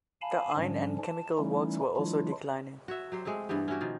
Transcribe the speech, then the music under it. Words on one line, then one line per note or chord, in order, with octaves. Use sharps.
The iron and chemical works were also declining.
F5 G#5 A5 B5
G#2 D3 F3 G3 C#4 D4
A5
E3 G3 A3 C#4 D#4 E4
E3 F#3 G#3 D4 E4 F4
F#4 C#5 E5
F#3 G4 C5
G#3 A3 C4 G4
G2 E3 B3 G4
C#4 E4 F#4 G4
B2 D#3 F3